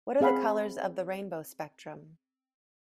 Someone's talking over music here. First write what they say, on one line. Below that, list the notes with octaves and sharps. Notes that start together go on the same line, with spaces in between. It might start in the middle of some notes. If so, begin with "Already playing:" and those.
What are the colours of the rainbow spectrum?
C4 G#4 F5 F#5 B5